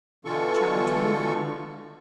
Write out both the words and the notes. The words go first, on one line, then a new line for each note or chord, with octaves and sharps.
Chapter XXV.
B2 D3 E3 F4 A4 C#6